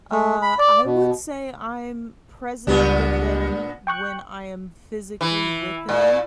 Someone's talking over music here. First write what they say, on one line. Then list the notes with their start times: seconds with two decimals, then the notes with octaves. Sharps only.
Uh, I would say I'm present with them when I am physically with them,
0.11 A3
0.42 B5
0.58 D5
0.85 B2
2.67 C#2 A#2 G3 B3 D4
3.87 G5 C#6 F#6
5.21 E3
5.89 A#2